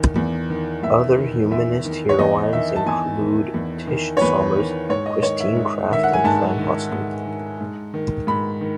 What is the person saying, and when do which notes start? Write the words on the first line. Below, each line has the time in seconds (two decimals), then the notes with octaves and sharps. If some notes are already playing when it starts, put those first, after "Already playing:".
Other Humanist Heroines include Tish Sommers, Christine Craft, and Fran Hosken.
Already playing: E2 D#3
0.16 E2
0.50 D#3
0.83 E2 E5
1.17 D#3
1.51 E2 E5
1.85 D#3
2.09 C#5
2.19 E2 D#5
2.53 D#3 E5
2.76 A5
2.86 E2 G#5
3.20 D#3
3.54 E2
3.87 D#3
4.17 C#5
4.21 E2 B4
4.56 D#3
4.90 G#2 C#5
5.06 D#5
5.23 D#3 C#5
5.40 E5
5.56 G#2
5.91 D#3 E5
6.03 F#5
6.13 G#5
6.24 G#2 A5
6.58 D#3
6.92 G#2
7.26 D#3
7.61 G#2
7.94 D#3
8.27 G#2 B5
8.61 D#3